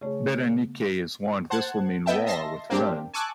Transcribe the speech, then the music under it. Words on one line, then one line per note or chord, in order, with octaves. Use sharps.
Berenice is warned this will mean war with Rome.
C#3 A3 G#4 C#5
C5 F#5 A5 F#6 G#6
B3 D#5 E5 G5 A5
D#5 E5 A5 C6 A#6
A#3 C4 D4 G4
G#5 A5 C#6 D6 E6 F#6